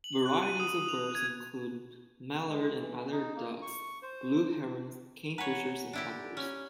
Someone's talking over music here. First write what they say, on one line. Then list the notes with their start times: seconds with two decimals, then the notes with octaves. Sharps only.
Varieties of birds include mallard and other ducks, blue herons, kingfishers and others.
0.04 F#7
0.26 F#6
0.43 D#7
0.60 D#6
0.88 F7
1.15 G#6
2.48 G#3
2.79 E3
3.12 D#4
3.36 A#3
3.62 C#6
4.03 C5
5.38 B4 C#5 F#5 G#5 A#5
5.93 D4 E4 G4
6.37 C#4